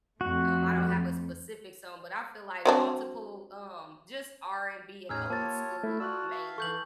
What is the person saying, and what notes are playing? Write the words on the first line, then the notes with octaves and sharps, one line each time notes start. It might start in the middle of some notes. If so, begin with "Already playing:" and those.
um, I don't have a specific song, but I feel like multiple, um, just R&B and old school, mainly.
F2 A3 F#4
F#3 C4 D4
E2 A2 C#4 D#4 G#4 E6 F6 G#6
A#3 F4 G4 C#5 A5 A6
A3 E4
F4 F#4 D5 E6 F#6
E5 F5
E3 A4 C#6 G6 F#7